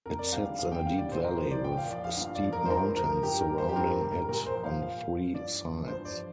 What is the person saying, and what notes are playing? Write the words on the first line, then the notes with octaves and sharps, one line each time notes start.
It sits in a deep valley, with steep mountains surrounding it on three sides.
F2 A#4
D5
D3 G3 F5
F5
F2 F5
G5
D3 G3 F5
D5
A#2 C5
A#4
F3 C5
D5
A#2 G5
F5
F3 D5
F5
G2 F5
D5
F3
A#4
C5
G2 A#4
F3 A#4
G2 G4
A#4
G3
C5
G4
G2 A#4
G3
A#4
A#2 A#4
C5
F3
F5
A#2 F5
F3
G2 D5
F3
G2 C5
D5
F3